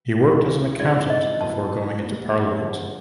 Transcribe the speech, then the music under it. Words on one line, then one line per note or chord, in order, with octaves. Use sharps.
He worked as an accountant before going into parliament.
D2 C#3 E3 G#3 C4
G#2 F3 G#3 C4 E4 D5
D#5
A2 F#3 B3 A5
A#2 G3 A#3
G2 D3 F3 G#3